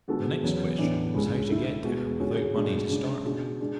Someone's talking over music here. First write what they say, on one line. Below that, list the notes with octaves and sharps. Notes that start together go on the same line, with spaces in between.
The next question was how to get there without money to start with?
D3 G#3 B3 F#4 A4
E2 C#3 F#3 B3
A2 E3 B3 D4
C#2 C#3 G#3
D3 A3 E4
B2 G#3 B3 F#4
D3 G#3 C#4 F#4
B2 G#3 D4 A4
C#3 G#3 D4
B2 G#3 D4
G#3 D4